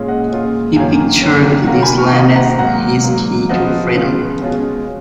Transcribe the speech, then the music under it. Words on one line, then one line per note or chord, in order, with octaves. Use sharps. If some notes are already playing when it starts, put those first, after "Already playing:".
He pictured this land as his key to freedom.
Already playing: A#2 G#3 C#4 F4
D#5 F#5
A#2 G#3 C#4 F4
F#2 D#3 A#3 C#4 F5 G#5
F#2 D#3 A#3 C#4
D#3 A#3 F4 F#5 A#5
G#5 B5
C#6 F6
D#3 A#3 F4 D#5 F#5
F#5 A#5
G#2 F#3 A#3 F#5 A#5
G#2 F#3 A#3
C#3 F3 B3 F4 D#5 F#5
C#3 F3 B3 F4
B2 G#3 C#4 F4